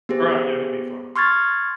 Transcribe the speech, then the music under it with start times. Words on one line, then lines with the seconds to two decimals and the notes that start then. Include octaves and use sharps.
Right, yeah, it'll be fun.
0.09 B3 G4 G#4 C5
1.16 C6 C#6 F6 G#6 A6